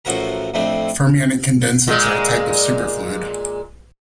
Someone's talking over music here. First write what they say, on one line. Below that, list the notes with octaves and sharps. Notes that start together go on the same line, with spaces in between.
Fermionic condensates are a type of superfluid.
A1 A2 F3 F#4 A#4 A#5
F2 A2 A3 C4 D4
A#2 G#3